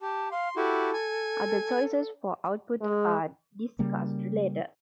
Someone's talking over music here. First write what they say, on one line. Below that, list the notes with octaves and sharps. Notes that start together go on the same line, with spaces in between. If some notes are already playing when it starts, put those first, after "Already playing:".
Other choices for output are discussed later.
G4 A5
F5 C6
E4 F#4 G4 A4
G#5
G#3
C#3 G3 A#3